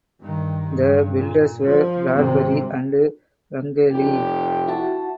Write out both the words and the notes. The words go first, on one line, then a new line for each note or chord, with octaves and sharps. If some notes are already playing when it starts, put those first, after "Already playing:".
The builders were Bradbury and Rangeley.
G2 D#3
G2
A#2
F3
G#1 C3
F1 G4
E4 F#4 A5